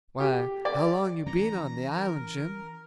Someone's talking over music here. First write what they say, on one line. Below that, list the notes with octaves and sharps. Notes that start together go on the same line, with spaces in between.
"Why, how long you been on the island, Jim?"
G4
D5
E3 C#4 A#5
A#4